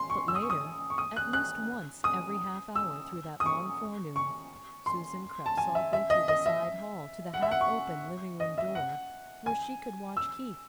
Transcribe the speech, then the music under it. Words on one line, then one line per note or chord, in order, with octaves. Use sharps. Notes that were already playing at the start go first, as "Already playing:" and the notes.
But later, at least once every half-hour through that long forenoon, Susan crept softly through the side hall to the half-open living-room door, where she could watch Keith.
Already playing: C6
C#6
E6
D#6
C#6
D#6
C#6
D#6
F#6
F#6
D#6
E6
D#6
C#6
C#6
C6
A5
G#5
E5
E5
D#5
D#5
E5
F#5
E5
F#5
C#6
D#5
E5
F#5
G#5
E6